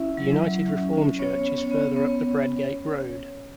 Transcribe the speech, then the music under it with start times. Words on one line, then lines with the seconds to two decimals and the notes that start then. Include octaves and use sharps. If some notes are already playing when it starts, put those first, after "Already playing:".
The United Reformed Church is further up Bradgate Road.
Already playing: C#4 E4 E5
0.17 F#3
0.42 F#3
0.68 C#4
0.93 C#4
1.19 B3 C#4 C#5
1.45 B3
1.58 C#4 C#5
1.71 B3
1.96 B3